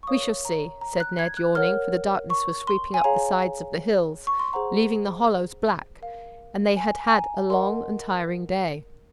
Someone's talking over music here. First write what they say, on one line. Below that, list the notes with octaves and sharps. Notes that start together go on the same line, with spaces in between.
"We shall see," said Ned, yawning, for the darkness was sweeping up the sides of the hills, leaving the hollows black, and they had had a long and tiring day.
C#6
A#4 C#5 F5 D#6
A#5
A#5
F#6
G#6
F#6
A#4 C#5 F#5 F6
C#6
C6
G#5
G#4 C#5 F5 A#5
C#6
C6
G#4 C5 F#5 A#5
A#4 F5
G#5
G#5
A#5
A#4 D#5 F#5 C6